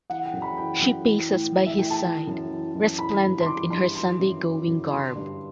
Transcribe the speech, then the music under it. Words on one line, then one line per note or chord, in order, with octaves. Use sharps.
She paces by his side, resplendent in her Sunday-going garb.
E3 F#5
G5
F#2
B5
E3 G5
F#2
E3
A2
E3
E5
A2 G5
A5
E3
F#2
E3
F#2
E3 B5
G2
C6
E3 D6
G2 C6
E3 C6
F#2
E3
F#2
D3 C6
G2